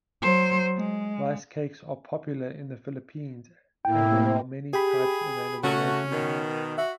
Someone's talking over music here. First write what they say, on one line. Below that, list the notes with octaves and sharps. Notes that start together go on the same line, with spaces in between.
Rice cakes are popular in the Philippines, and there are many types available locally.
F#3 C5
G#3
A2 A#3 E4 G5
G4 G#4 G5 B5
C#3 A3 C#4 F#4
B2 D#3
F#4 E5